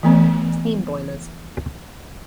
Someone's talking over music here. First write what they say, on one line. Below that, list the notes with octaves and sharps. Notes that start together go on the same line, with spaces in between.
Steam boilers.
E3 A3 B3